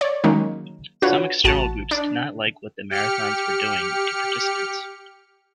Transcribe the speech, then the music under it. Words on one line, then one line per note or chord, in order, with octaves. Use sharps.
Some external groups did not like what the marathons were doing to participants.
C#5 D5
D#3 F#3 G#3 A#3 C#4 D#4
D4 F4 F#4 B4 C#5 F#5
A1 F#4 A5
D4
G4 F6 C#7